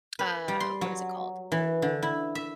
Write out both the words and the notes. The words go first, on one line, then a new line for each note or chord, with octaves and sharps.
a, what is it called?
B4
G3
C6
F#3
E3
D3
E4
E5